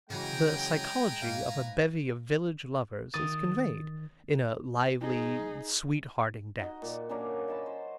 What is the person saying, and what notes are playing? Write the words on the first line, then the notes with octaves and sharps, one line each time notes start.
The psychology of a bevy of village lovers is conveyed in a lively sweet-hearting dance.
C#3 E3 F#3 G#3 B4 G5 G#5 A#5
G#2 F5
D#3 D#6 A6
D#4 G#4
D#4 F#4 D#5
A#2 D5
F#3 A#3 C#4 D4
D#5 A5 B5
C5